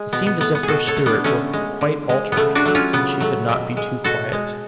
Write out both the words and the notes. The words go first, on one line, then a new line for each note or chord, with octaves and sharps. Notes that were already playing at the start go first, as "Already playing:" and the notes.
It seemed as if her spirit were quite altered, and she could not be too quiet.
Already playing: G#3
B2 B3
B3
A3 B3
B3
G#4
B2 F#4 A4
A4 C#5
A3
B3 D4
D3 A3 C#4
G#3
D3
G#3
C#3 A3 B3
D4 F#4
F#3 A3
C#4 F4
C#3 B3
F#3 A3
B2
G#3
B2 F#4 A4
G#3